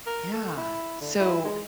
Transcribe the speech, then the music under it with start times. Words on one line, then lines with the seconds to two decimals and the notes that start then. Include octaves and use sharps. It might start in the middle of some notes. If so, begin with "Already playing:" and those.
Yeah, so,
0.07 A#4
0.34 A4
0.57 E4
1.01 D3
1.20 E4
1.45 G#3